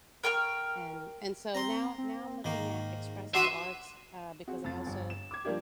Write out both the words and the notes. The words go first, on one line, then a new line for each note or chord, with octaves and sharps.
and and so now now I'm looking at expressive arts, uh, because I also,
A#4 G5 C#6 F6
C4 A#5 C6
C4
G#2 D#3 A#3
D4 F#4 B4 E5 F#5 C6 C7 D#7
C4 F#4 G#4
F2 A6
G1
E7
D6 G#6
F3 G3 A#3 D4 G4